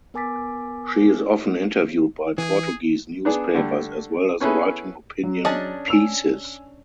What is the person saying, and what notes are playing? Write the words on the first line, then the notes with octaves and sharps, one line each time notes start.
She is often interviewed by Portuguese newspapers as well as writing opinion pieces.
B3 A#4 G#5 D6 A6 B6
E3 G#4
B3 D4 G#4
D3 G3 A3
B3 C#4 E4 G#4 A4 B4
F#3
C#4 D4 G#4 D#5 A5
G#5 E6 F7